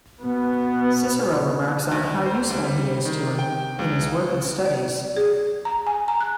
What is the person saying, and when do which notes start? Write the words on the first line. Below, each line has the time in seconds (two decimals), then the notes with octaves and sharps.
Cicero remarks on how useful he is to him in his work and studies.
0.22 B2 B3
1.91 D2
2.26 C5
2.50 C#2
2.63 G3
3.05 D#3
3.39 G5
3.79 C#2
4.66 D5
5.16 G#4
5.65 A#5
5.87 G#5
6.08 A#5
6.21 F#6